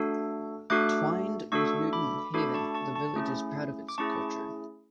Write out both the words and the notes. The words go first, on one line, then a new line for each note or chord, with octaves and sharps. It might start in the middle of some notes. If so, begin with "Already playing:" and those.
Twinned with Newton Haven the village is proud of its culture.
Already playing: A3 D4 F#4 A4
A3 D4 F#4 A4 D6 F#6
A3 D4 F#4 A4 C#6 E6
B5 D6
A3 D4 F#4 A4 B5 D6
A5 C#6
A5 C#6
A5 C#6
A3 C#4 E4 G#4
D6
A3 C#4 E4 G#4 A5 C#6